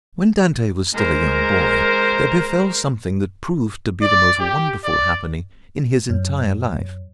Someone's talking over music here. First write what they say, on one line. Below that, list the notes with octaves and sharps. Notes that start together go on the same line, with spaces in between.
When Dante was still a young boy there befell something that proved to be the most wonderful happening in his entire life.
G#3 A#4 C5
D5
G4
D5
F#2